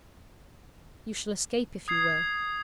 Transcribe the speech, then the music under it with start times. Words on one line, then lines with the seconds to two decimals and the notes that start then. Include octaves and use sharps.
You shall escape, if you will.
1.88 D#6 G#6 C7